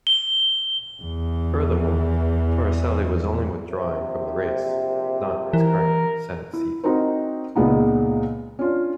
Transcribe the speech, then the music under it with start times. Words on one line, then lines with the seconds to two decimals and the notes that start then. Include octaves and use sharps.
Furthermore, Torricelli was only withdrawing from the race, not his current Senate seat.
0.07 G7
1.03 E2 E3
3.70 A#1 C3
5.53 E3 A#4
6.53 E4
6.84 C4 D#4 F#4 A#4 C5
7.56 C#2 A#2 G#3 B3 D#4
8.59 C#4 D4 F4